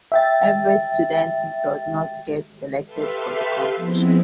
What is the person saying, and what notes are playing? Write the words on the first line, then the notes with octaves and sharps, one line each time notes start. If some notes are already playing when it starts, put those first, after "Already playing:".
Every students does not get selected for the competition.
E5 G5 A6
G4 A4 B4 E5 F5 C6
F3 G#3 B3 C4 E4